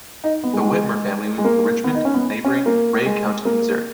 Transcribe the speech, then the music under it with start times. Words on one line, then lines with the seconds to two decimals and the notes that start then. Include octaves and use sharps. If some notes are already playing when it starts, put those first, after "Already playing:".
The Whitmer family moved to Richmond in neighboring Ray County, Missouri.
0.24 D#4
0.44 B3
0.53 G#3
0.63 G#3
1.38 G#3
1.45 A#3
1.84 B3
1.95 D#4
2.05 C#4
2.14 B3
2.44 C#4
2.66 A#3
3.06 G#3
3.45 A#3